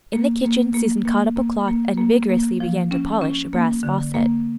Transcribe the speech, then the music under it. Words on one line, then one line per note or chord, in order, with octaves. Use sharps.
In the kitchen Susan caught up a cloth and vigorously began to polish a brass faucet.
A#3
A#3
A#3
A#3
A#3
A#3
A#3
A#3
F3
C#4
C#4
A#3
D3
A#3